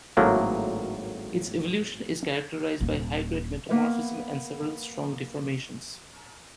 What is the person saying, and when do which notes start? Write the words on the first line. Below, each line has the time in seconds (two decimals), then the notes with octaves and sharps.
Its evolution is characterized by high-grade metamorphism and several strong deformations.
0.17 G#1 A2 F#3 A3 A#3 F4
2.80 D#1 A#3
3.69 A#3 B3 A#4 B4 E5